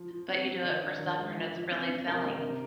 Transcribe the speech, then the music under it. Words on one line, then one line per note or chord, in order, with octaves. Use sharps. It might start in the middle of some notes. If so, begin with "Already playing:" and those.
but you do it for supper and it's really filling.
Already playing: F3
F3
C4
C4
D#3 D5
D4
D#3
G#3
F3
F3
C4
C4
C3 A#4
A#3
A#4
C3